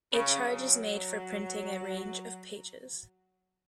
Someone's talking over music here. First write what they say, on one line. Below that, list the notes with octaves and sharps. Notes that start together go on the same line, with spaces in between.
A charge is made for printing a range of pages.
C#3
F#3